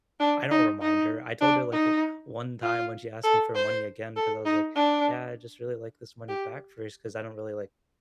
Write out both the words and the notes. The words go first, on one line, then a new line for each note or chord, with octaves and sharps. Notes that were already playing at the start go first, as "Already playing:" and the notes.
I don't remind her. I told her, like, one time when she asked me for money again, 'cause I was, like, "Yeah, I'd just really, like, this money back first, 'cause I don't really, like,
D4
D#4
D#4
D4
D#4
F4
A4
C5
A4
D#4
D4
G4